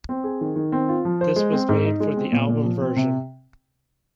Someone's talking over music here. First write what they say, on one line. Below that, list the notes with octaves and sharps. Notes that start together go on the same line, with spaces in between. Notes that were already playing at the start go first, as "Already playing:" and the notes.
This was made for the album version.
C4
G#4
D#3
D#3
C4
F4
F3
C5
G#3
C4
G#2
D#4
G#3
C4
A#2
A#2
F3
C4
C3